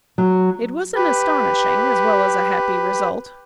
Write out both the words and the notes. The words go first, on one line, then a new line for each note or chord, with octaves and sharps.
It was an astonishing as well as a happy result.
F#3
G4 B4